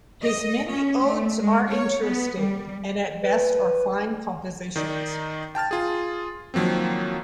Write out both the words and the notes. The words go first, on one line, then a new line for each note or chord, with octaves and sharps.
His many odes are interesting, and at best are fine compositions.
D#5
C#4
A3
G#3
C#5
B3
G3
B4
D#3 D#4 D5
G5 A5 F6 A6
F4 G#4
D#3 F3 F#3 A#3 C4